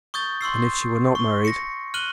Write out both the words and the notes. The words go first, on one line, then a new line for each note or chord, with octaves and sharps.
"And if she were not married?"
C#6 D#6 G6 A6
C6 C#6 E6 C7
C#6
A#6 C#7
F6 F#6 D#7 F#7 G7